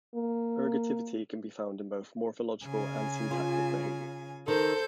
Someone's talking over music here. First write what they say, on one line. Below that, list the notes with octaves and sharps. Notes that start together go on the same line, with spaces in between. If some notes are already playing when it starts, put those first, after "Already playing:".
Ergativity can be found in both morphological and syntactic behavior.
A#3
C#3 G#5
F4
D#3 A4 C5 G6